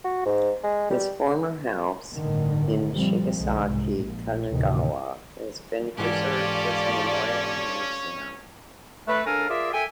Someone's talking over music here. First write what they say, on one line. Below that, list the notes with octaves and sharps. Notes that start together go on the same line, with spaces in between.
His former house in Chigasaki, Kanagawa has been preserved as a memorial museum.
F#4
G#2
G#3
G3
G1 A2 D3 D#3
A#1 F3 G3 C4
B1 D3 G#3
C2 G#2
A#1
D2 A2 C3 D#3 E3
G#2 E3 C#4 F4 G4 A4 D5
A3 B4
C#2 D4 A4 A#4 F5 G#5
F4 G#4 A#4 D5 E5
A4 E5 G5 G#5